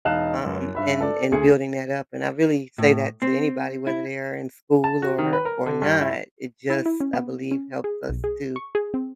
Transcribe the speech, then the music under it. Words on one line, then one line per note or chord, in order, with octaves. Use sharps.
Um, and and building that up. And I really say that to anybody whether they are in school or or not. It just, I believe, helps us to
E1 D#4 F5 A5 F#6 E7
F#2
G2 E5 B5
A4 D5
D2 G#4 C#7
A2
C4
E4
A5
F#4
D#3
B4
A#4
D3
G2
E4
E4
E4
C#4
B3
C#4
G#4
B1
G#4
C#6
G#4
C4